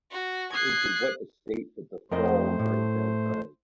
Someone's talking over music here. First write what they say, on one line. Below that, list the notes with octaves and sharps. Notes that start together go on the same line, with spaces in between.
Into what estate did the fall bring mankind?
F#4
D#6 F#6 G#6 C7
F2 A3 A#4 C5 D#5
A2